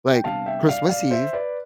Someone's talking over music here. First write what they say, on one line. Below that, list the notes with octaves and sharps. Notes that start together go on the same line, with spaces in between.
like, Christmas Eve,
G5
C3 G3 B3 D4 F5 A5
E5 G5
D5 F5
D5 F5
C5 E5
B4 D5